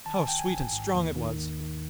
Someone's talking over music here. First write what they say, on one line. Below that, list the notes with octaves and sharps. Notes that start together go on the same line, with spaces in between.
How sweet and strong it was!
D#3 A5
G#5
A1 G5
G#5
A1
G#2
D#2
D#3
D#2
D#3